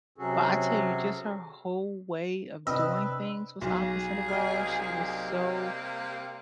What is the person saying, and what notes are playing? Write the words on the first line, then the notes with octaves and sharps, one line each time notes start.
but I tell you just her whole way of doing things was opposite of ours, she was so
C3 F#3 C#4 F#4 G#4 A4
C3 D4 B4 D#5 G5 E6
B1 G#4
C3 G3 A#3 D#5 F6